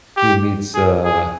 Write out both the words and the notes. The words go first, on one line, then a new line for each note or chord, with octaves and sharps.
he meets, uh
G4
G#4
G#4